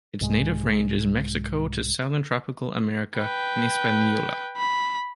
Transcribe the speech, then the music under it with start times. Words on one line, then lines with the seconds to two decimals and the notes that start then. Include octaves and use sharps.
Its native range is Mexico to southern Tropical America and Hispaniola.
0.21 C2 G#2 G#3
3.17 B4 G5
4.57 B5